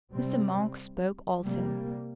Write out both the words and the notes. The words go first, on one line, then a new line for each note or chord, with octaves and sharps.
Mr. Monk spoke also.
C3 G3 C4
C3 G3 A#3